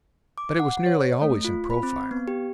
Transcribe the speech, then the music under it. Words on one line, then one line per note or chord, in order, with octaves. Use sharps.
But it was nearly always in profile.
D6
F#5
C#5
A3
F4
B5
C4
B3
G4